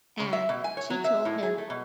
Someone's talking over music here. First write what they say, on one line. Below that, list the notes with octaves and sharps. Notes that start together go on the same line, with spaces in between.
and she told him,
C#3
E5
B2
G#5
C#5
F#3
E5
A2
G#4
A3
B2